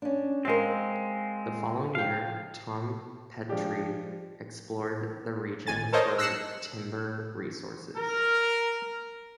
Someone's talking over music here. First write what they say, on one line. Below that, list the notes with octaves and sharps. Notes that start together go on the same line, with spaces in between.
The following year, Tome Petrie explored the region for timber resources.
C#4 D4
G#3 C4 A#4 C5 F5
F3 F5 G5
F3 G#3 D4 G4
G#1 G#5 A6
A4 A#4 C5 C#5 D#5
E6 F#6 A#6 C7 C#7 E7
A#4